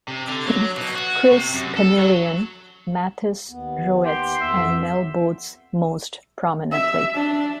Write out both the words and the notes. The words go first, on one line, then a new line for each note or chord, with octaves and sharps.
Chris Chameleon, Mathys Roets and Mel Botes most prominently.
C3
D3
F#3
B2
F#4
C3
F#2
A4
F#3
D#2 B3
G4 C6
F2 B3 E5
E5
D4